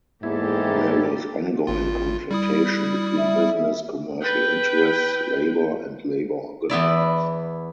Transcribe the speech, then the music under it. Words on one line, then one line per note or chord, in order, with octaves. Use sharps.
There was ongoing confrontation between business, commercial interests, labor, and labor organizers.
E2 G#2 A#3 E4 G4 A4
G#1 F4
G3 E4 D#6
E5
B4 G5
E2 B3 E4 D5